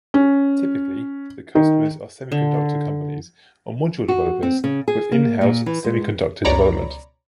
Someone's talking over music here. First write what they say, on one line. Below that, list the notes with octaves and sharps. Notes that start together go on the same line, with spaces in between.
Typically, the customers are semiconductor companies or module developers with in-house semiconductor development.
C#4
D#3
D3
F#4
C4
C#3
G#4
A#3
A#2
E3
G#3
C#2 B2 C#5 D5 A#5 B5